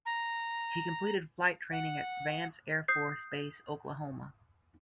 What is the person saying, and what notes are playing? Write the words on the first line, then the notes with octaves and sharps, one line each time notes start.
He completed flight training at Vance Air Force Base, Oklahoma.
A#5
F#5
D#6 G6 C7